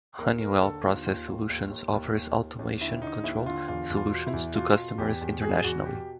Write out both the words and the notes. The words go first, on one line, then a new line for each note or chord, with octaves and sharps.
Honeywell Process Solutions offers automation control solutions to customers internationally.
D#2 A#4
D#2 A#4
D3 A4
D#2 F4
D#2 F4
D#2
D#2
D#2
D#2
D#2
D#2
D#2
D3 E4
D3 D#4
D#2 E4
D3 F4
E2 F4
E2
F4
B2
E4
E2
B2 F4
B2
E2 G4
E2
B2 G#4
E2 F#4
B2 G4